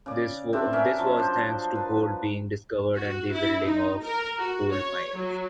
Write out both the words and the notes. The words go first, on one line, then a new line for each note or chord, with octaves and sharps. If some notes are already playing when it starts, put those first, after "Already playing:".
This was thanks to gold being discovered and the building of gold mines.
C#3 D5
C4 D4 B4 E5
C#4 A#4 D5 E5
F3 F#3
D4 C5
B4
F#4
E4
D#4
A#4
F#4
C#5
F#3